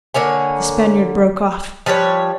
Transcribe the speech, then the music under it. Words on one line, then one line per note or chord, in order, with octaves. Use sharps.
The Spaniard broke off.
D3 A#3 C#5 G#5
F3 G3 B4 C#5